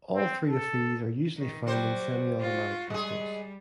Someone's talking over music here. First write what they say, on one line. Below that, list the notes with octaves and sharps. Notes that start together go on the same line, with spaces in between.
All three of these are usually found in semi-automatic pistols.
C4
A4
D#3
F#3 G3 F#4 C5
F4 F#4
G3 G#3 G#4